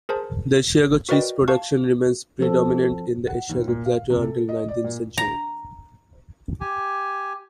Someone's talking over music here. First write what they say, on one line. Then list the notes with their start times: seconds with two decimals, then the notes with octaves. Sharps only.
The Asiago cheese production remains predominant in the Asiago Plateau until the nineteenth century.
0.09 G#4 A#4 C5 A5
1.09 F#4 A#4 B4 D5 D#5 G5
1.48 F5 A5 C#6
2.39 F3 C4 A4
3.27 F#5
3.49 D#2
3.68 A#2
3.86 F5
4.10 C3
4.22 A4
4.49 D#5
4.68 D5
4.84 A#2
5.18 A#5
6.61 G4 G#5